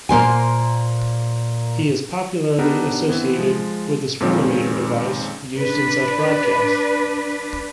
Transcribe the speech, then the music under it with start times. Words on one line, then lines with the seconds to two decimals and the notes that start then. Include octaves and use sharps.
He is popularly associated with the swingometer device used in such broadcasts.
0.09 A#2 A#3 C5 G#5
2.59 B3 D4 D#4 G4 A4 A#4
3.08 E3 B3 C4
3.36 F3 G#3
4.20 F2 A#2 D#3 G#3 C4 C#4
5.58 D4 B4